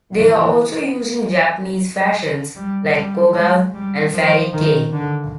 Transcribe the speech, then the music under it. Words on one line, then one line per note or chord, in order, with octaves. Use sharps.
They are also used in Japanese fashions like Kogal and Fairy Kei.
E3
G3
G3
G#3
G3
F3
D#3
D3